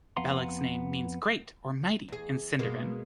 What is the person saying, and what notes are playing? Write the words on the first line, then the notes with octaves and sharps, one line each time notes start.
Beleg's name means "great" or "mighty" in Sindarin.
F2 B3 F5 F#5 A#5 C6
E2 G#4
B2 G#3 A#3